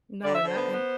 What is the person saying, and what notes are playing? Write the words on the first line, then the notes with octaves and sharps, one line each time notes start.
No, and that, and
D3 D5
E5
D3
C5
B3
B3